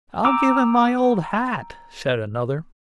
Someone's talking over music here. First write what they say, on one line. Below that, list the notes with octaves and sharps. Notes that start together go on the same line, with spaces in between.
"I'll give him my old hat," said another.
G5 A5 A#5 D6 E6